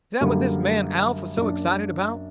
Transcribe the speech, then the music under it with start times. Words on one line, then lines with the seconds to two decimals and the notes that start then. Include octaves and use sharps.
"Is that what this man Alf was so excited about!"
0.21 F#2 D3 G3 A#3
1.37 F#2 F#3 A#3 D4